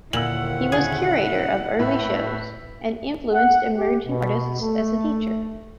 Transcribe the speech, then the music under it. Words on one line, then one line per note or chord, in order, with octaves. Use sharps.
He was curator of early shows, and influenced emerging artists as a teacher.
D#2 A#2 D3 D#3 E4 F#5 E6 F#7
C#3 G#4
A2 B4 E5
F#5
G4
B2
A3